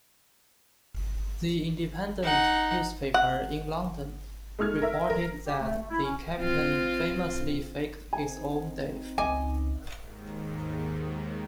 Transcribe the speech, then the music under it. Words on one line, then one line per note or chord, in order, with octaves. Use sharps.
The Independent newspaper in London reported that the Captain famously faked his own death.
D#4 F#5
F#5
G#3 A3 D#4 F6 G#6
A#4 E5
A#4
G4
A3
A3
E4
C#4
C4 F4
C4 D#4 G#5
C#2 D#5 G#5 D6
D#2 G#2 D#3